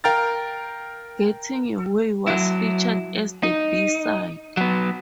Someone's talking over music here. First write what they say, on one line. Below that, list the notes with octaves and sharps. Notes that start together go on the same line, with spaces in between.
"Getting Your Way" was featured as the B-Side.
A#4 F5 G5 A#5 F6 A6
F#3 E4
D#4
F#3 B3